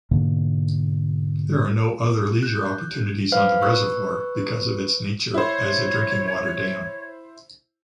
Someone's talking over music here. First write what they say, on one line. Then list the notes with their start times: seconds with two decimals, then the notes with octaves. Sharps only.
There are no other leisure opportunities on the reservoir because of its nature as a drinking water dam.
0.11 G#2 B2 D3 A#3
2.43 F#6 G6
3.32 B4 C5 F5 F6
3.61 B4 C#6 E6 F#6
5.34 E4 C5 C#5